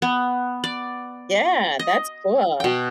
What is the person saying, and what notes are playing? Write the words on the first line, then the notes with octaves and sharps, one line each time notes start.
Yeah, that's cool.
B3
D5
D#5
B2 G5